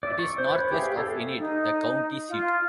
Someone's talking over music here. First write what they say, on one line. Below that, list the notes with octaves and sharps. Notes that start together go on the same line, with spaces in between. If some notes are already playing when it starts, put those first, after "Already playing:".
It is northwest of Enid, the county seat.
D5 E5
C#6
C5
B4 C#5
G4 G#4 E5 F5
A4 C#5 F5
D#4
F4